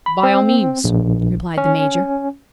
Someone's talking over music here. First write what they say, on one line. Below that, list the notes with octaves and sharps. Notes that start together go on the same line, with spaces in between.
"By all means," replied the major.
B5
C4
A#1
C#4